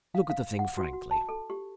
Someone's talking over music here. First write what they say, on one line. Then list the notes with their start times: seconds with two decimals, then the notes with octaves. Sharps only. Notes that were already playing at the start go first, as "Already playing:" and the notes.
Look at the thing frankly.
0.15 F5
0.30 F5
0.59 F#5
0.77 F#4
0.93 F#4
1.11 A5
1.29 A4
1.50 G4